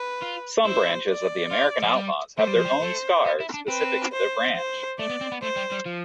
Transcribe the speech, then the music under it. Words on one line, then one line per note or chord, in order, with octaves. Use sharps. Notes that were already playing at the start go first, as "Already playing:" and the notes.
Some branches of the American Outlaws have their own scarves specific to their branch.
Already playing: B4
F4
E4 C5
D5
F4
F3
G3
A3 C5
G3
F3
G3
A3
B3
E4
D4
C4 B4
C5
C5
A3 D5
B3
C4
B3
A3 C5
G3
G3
F3